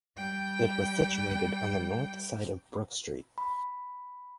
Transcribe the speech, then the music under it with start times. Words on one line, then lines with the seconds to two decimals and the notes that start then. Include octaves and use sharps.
It was situated on the north side of Brook Street.
0.17 G3 G5
3.38 B5